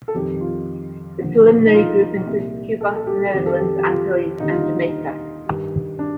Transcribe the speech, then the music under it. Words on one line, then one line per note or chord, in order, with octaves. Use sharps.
The preliminary group included Cuba, the Netherlands Antilles, and Jamaica.
A4
F2 D#3 G3 G4
F4
D#2 D3 F3
D#4
F4
C2 A#2 G3
A4
A4
G4
F2 D#3 G3 G4
A4
G4
G4
F4
D#2 D3 G3 D#4
F4
D#4
G2 D#3 G3
D4